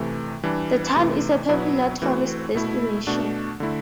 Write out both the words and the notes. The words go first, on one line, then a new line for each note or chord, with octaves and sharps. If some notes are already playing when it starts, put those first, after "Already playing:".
The town is a popular tourist destination.
Already playing: C3 E3 A3
E3 G3 D4
C3 E3 A3
B2 F#3 B3 E4
E3 A3 C4 F#4
B2 A3 E4
B2 A3 D4 F#4
D3 A3 E4